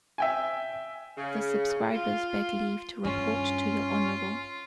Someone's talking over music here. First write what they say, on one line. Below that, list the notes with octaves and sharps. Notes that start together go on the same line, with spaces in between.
The Subscribers beg leave to Report to your Honorable.
E5 G5 G#5
C#3
F4
G2 C#4 F4